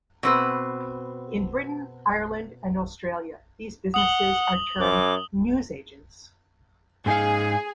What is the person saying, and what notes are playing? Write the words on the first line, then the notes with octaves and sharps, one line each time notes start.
In Britain, Ireland and Australia, these businesses are termed "newsagents".
B2 C4 B4
F#5 D#6 F#7 G7
F#2 D6
G#2 D#4 G#4 F5